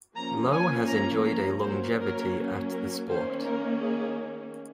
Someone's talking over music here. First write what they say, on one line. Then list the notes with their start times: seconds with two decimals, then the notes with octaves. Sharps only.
Lowe has enjoyed a longevity at the sport.
0.16 F3 A#3 C#4 A#5
0.51 G#5
0.88 A#5
1.26 A#5
1.62 F#3 A#3 C#4 C5
1.99 A#4
2.72 A#4
3.08 D#3 A#3 C#4 C5
3.45 A#4
3.82 G#4